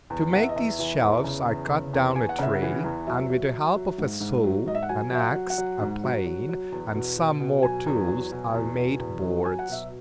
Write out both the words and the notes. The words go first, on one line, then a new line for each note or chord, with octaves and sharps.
To make these shelves I cut down a tree, and with the help of a saw, an axe, a plane, and some more tools, I made boards.
E2
E2 F#5
E5
D#5
E2 E5
E3
E2
C#3
E2
C#3
E2
E2 G#5
F#5
C#3 E5
F#5
E3
E2
F#3 E5
F#3
F#3
F#3
G#2
G#2
F#3
G#2 D#5
E5
F#5
F#3 G#5
F#3 E5
F#5
F#3
F#5
F#3
G#2
F#3
F#3
F#3
E2
B2
B2
B2
F#3 G#5
E2
F#3
B2
E2
B2
E2
F#3
F#3 G#5
F#5
B2 E5